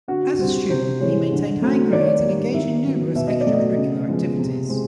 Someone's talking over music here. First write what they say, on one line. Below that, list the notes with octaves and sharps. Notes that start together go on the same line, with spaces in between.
As a student, he maintained high grades and engaged in numerous extracurricular activities.
D3 F#4
G3 C4
C3 C5
E3 G#3 C#5
D3
F#3 A3 C4
D#3 D5
C#5
D5
G3 A#3
D#3 E5
F#3 B3
B2 E5
D#5
D5
F#3 A3
D#5
C#3
F3 G#3 B3
C3
G#3 C4